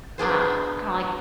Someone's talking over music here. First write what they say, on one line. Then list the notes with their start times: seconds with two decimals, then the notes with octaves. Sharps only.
Uh, kinda like
0.18 B3 D4 G#4 C5